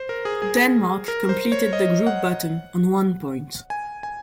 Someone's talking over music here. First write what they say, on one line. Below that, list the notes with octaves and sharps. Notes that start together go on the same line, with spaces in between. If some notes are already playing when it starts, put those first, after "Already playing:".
Denmark completed the group bottom, on one point.
Already playing: C5
A#4
G#4
G#4
A#4
C5
C#5
D#5
F#5
G#5
G#5